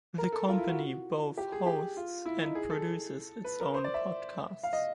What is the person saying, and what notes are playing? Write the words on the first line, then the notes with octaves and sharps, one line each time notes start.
The company both hosts and produces its own podcasts.
A#4
A4
F4
E4
F#4
G4
G#4
G4
F4
E4
D#4
G#4
A4
B4
A#4
C5
D5
E5
F5
D#5